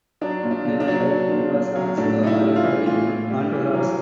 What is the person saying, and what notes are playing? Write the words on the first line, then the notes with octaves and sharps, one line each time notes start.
The rifle was also ordered by Honduras.
F#3 D4
A#2
D4
A#2
D4
F#3
F#3
A#2
A#2
F#3
A2 D4
A2 D#4
E4
G3
F4
E3
A2 F4
A2
G3
E3
F#3